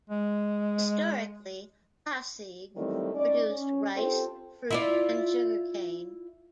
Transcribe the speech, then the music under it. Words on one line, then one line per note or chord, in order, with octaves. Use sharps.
Historically, Pasig produced rice, fruit and sugarcane.
G#3
D#3 E3 F#3 G3 A3 C4
C#4 D#4 D5
C#4
C4 F4 G4 A4
E4 F4 D5